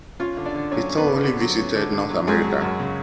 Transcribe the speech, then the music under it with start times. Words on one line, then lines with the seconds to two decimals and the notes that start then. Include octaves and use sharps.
The tour only visited North America.
0.20 C#4 F4 F5
0.37 D3
0.46 D4 D5
0.54 D3
0.71 F#3 C#4 C#5
0.89 C#4
0.98 B3 B4
1.07 D3
1.23 D3 B3 B4
1.41 F#3
1.58 C#4
1.75 D3
1.93 D3
2.10 F#3
2.27 F#3 G#3 G#4
2.45 F#2
2.62 F#2
2.79 C#3